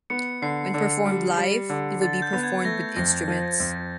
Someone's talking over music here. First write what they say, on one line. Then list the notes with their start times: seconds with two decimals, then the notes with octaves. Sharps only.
When performed live, it would be performed with instruments.
0.10 B3 C#7
0.42 D3 C7
0.74 D3
1.06 G3
1.37 G3
1.70 D3
2.01 D3 A6
2.22 G6
2.33 B3
2.43 G#6
2.65 A3 A#6
2.96 F2 A#6
3.28 F3
3.60 F2